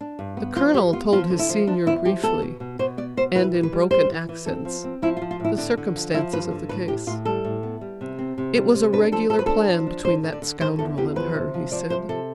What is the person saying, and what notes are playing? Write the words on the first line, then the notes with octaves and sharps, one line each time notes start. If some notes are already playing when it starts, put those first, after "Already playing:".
The Colonel told his senior briefly, and in broken accents, the circumstances of the case. "It was a regular plan between that scoundrel and her," he said.
D4
G2
B3
F3 F4
G2 G4
B3 F4
F3 F4
D3
E4
F3
F3 D4
E2 E4
F3 G4
B3 A4
B2
B2
B2 C5
B3 D5
B2 C5
E3 B4
E3
B4
G3
G3 C5
E3
E3
C4 A4
F3
C4
F3 E4
F4
F3
F4
A2 E4
D3 D4
D3
F3
F3 E4
G2 B4
D3
A2 B4
A2 G4
A2 F4
G3 A4
A2
B3
G3
C3
C4
C3
G3
C3
D4 B4
F3 A4
F3 A4
B4
D4 A4
F3
D4
D3 C5
D3
D5
D3
D3 C5
E2 A4
E2 G4
F3 B4
C3
F3
F3 D5
C3 C5
C3 A4